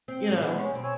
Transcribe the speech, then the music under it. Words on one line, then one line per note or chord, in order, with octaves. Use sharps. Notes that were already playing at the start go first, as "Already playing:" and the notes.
You know.
C4
A2
E3 B3 D4 C5
G3 G#3 C#4
B2 F#3 C4
C#5 G#5 E6